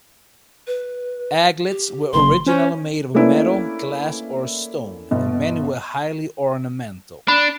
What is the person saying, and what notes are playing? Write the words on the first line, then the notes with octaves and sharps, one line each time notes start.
Aglets were originally made of metal, glass, or stone, and many were highly ornamental.
B4
G4
F#1 C6
C#4 C5
A3 A#3 C#4 D4 E4 B4
G1 B2
D4 B5